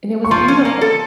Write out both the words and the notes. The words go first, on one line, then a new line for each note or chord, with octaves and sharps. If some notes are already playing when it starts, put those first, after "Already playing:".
and it was beautiful,
C#6
F3 C6
C#4
A#3
A4